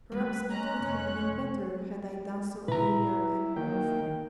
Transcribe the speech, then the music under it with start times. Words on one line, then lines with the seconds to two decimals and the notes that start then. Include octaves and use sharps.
Perhaps it would have been better had I done so earlier and more often.
0.12 G3 A3 B4
0.50 G#3 C#4 A#5 F#6
0.80 F1 C#5
2.68 A#2 E4 B4 A#5
3.56 D#3 A#3 G5